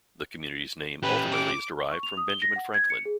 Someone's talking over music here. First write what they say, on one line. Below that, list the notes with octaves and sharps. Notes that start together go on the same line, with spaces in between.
The community's name ultimately is derived from Benjamin Franklin.
C#4 G4 B4
D6
C#6
F7
D#6
G7
A#6
F#5
G#6
C#7
G#4